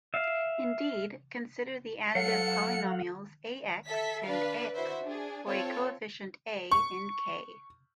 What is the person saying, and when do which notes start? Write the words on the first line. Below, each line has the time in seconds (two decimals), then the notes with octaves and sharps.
Indeed, consider the additive polynomials "ax" and "x" for a coefficient "a" in "k".
0.14 E5 F5
2.15 F#3 A4 F5 F#5 C#7
3.87 A4 E5 B6
4.24 D4 B4 F5
4.74 E4 F#4 C5 E5
5.04 D4 G#4
5.46 C4 F4 A4 C#5
6.71 C#6